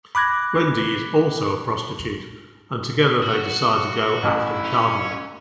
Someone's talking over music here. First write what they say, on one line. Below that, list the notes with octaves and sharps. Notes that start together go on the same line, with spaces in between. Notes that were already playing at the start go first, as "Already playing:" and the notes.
Wendy is also a prostitute and together they decide to go after the cardinal.
B5 D6 F#6 G#6 A#6
F#4
A1 E4
C#4